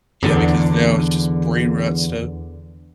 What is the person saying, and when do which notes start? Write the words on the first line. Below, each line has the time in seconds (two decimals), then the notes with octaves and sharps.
Yeah, because now it's just brain rot stuff.
0.23 E2 D3